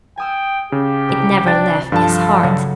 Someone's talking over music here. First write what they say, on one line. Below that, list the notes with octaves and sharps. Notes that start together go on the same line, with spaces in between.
It never left his heart.
G5 G#5 D#6 E6
C#3 G4
C2 C3
D4 G5 A6
G2 F3 G3 F4 A4 A5
C#3 F#3